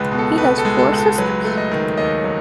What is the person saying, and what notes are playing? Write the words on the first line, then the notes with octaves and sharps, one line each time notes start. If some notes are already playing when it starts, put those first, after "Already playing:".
He has four sisters.
Already playing: C#2 G#3 B4
B2
A4
C#2 B4
A4
G#3
A4
C#2
A4
F#3 B4
A3
D#5
D#3
D#2 D#5
F#3